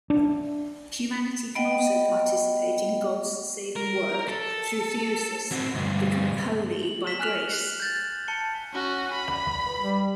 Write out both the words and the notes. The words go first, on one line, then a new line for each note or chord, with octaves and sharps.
Humanity can also participate in God's saving work through theosis; becoming holy by grace.
D4
B3 D#5 F#5 G5
A#4
A4
C4 F#4
D2 G2
F#7
B6 E7 G7
G#5 F6 F#6 B6 F7 F#7
F#6
G6 A6
A5 C#7 G7
C#4 F#4
B5
G3